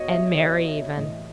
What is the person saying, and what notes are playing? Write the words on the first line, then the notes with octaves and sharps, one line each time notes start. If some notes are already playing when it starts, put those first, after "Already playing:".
And Mary even.
Already playing: B2 C#5 D#5
E5
E5
D#5
A2 E3 D#5